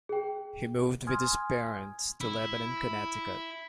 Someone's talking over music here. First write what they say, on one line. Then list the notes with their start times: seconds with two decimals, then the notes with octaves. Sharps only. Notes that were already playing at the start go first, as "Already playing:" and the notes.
He moved with his parents to Lebanon, Connecticut.
0.09 G#4 G5
1.07 G#5 C6 D#6 F6 G#6
2.21 E4